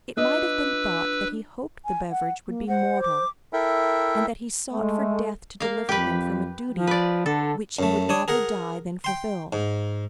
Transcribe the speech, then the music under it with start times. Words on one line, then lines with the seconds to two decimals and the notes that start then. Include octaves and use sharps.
It might have been thought that he hoped the beverage would be mortal, and that he sought for death to deliver him from a duty which he would rather die than fulfil.
0.17 D4 F4 B4 D#5 E6
1.85 G#5
2.11 F#5
2.48 A#3
2.68 C5 F#5
3.02 D6
3.53 E4 A4 A#4 E5 G5
4.72 G#3 A3
5.60 A#3 F5
5.89 F2 G4 B4
6.71 F3
6.87 B4 D5
7.26 D3 A4
7.79 F#2 A3
8.09 D4 C#5 D#6
8.28 G#4 A#4 F#5
9.04 G5 C6
9.53 G#2